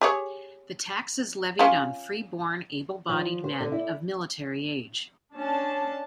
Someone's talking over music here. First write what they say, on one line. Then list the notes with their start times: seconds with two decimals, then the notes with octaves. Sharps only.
The tax is levied on free-born able-bodied men of military age.
0.01 G4 G#4 C#5
1.59 C#4 F4
3.09 F3
3.44 C5
3.61 D3
3.72 E4
5.36 C#4 D4 A5